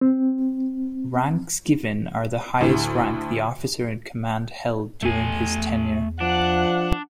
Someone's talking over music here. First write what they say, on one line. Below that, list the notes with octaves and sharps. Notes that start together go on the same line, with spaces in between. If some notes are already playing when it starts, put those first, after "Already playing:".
Ranks given are the highest rank the officer in command held during his tenure.
C4
D2 A2
E2 A3 G#5
F3 D4 F#5